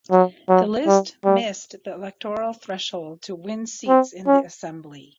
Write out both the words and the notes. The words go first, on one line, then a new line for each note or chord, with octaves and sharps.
The list missed the electoral threshold to win seats in the assembly.
F#3
F#3
G3
G3
C4
C#4